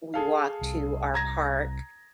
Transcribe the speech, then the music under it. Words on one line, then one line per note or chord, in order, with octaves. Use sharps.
we walk to our park
G#4 A4 F5
C2
A#5 G#6 A#6